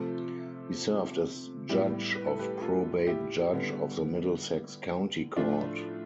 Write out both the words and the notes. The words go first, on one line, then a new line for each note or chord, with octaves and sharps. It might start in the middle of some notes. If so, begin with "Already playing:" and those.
He served as judge of probate judge of the Middlesex County Court.
Already playing: C3 F3 A3 F4 A4
A2 G3 B3 E4 G4
B4
A4
G4 B4
F4 A4
E4 G4
D3 G3 B3
A2 F3 A3 D4 F4